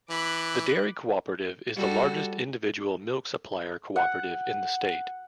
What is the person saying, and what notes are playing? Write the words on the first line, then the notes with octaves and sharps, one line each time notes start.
The dairy cooperative is the largest individual milk supplier cooperative in the state.
E3 B5 D6 F#6
G3 F#4 A4
F#5